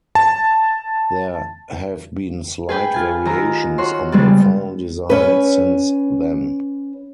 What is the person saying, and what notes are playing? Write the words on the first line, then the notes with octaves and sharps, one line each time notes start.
There have been slight variations on the font design since then.
A5
G#4 B4 G5
F4 G#5
D#2 A#5
F#4 C#5 C6
C#3 G3 G#3 B3
C#4 B4